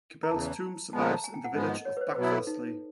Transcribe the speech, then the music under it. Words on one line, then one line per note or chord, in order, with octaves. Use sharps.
Cabell's tomb survives in the village of Buckfastleigh.
A#5
E2 C#3 E3 A5
A#2 F3 G#3 B3 A5
A#5
A5
G#5
G5
F#5
G#2 F3 G#3 B3 D#5
D#5
C#5
B4
C5
B2 F#3 B3 E4 B4
A4
D#4